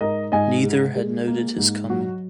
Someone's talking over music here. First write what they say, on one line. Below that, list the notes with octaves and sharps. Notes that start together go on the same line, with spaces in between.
Neither had noted his coming.
G#2 A#4 D#5
G#2 D#5 G#5
G#3
G#3
A#3
G#2
F#3 F#4